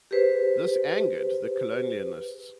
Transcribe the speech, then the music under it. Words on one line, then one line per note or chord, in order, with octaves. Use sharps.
This angered the colonists.
G4 G#4 B4 C5